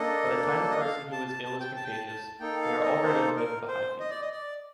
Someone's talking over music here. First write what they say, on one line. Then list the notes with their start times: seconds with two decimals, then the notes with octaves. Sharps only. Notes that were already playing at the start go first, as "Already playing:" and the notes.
By the time the person who is ill is contagious, they are already in bed with a high fever.
Already playing: A#3 D4 A4 D#5
0.71 D#5
0.80 F5
1.12 A5
1.28 A5
1.45 A5
1.60 G5
1.76 A5
1.84 G5
1.91 A5
2.08 A5
2.40 A#3 D#4 A4 G5
2.62 F5
2.84 D#5
3.05 C5
3.37 A#4
3.68 C5
4.00 D#5
4.10 D5
4.21 D#5
4.32 D5